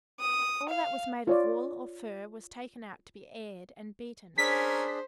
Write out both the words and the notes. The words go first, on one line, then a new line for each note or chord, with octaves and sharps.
All that was made of wool or fur was taken out to be aired and beaten.
D#6
F5
F4 C#5 D5
C#4 D4 G#4 A#4 C5 G#5 B6